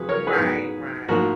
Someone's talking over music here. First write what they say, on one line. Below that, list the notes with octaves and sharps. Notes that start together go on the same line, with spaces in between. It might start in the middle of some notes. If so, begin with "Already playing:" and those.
Right, right.
Already playing: F2 F3 F#4 G#4 B4
A#4 C#5
G#4 B4
G#2 F#3 B3
G#2 F3 A#3 F#4 A#4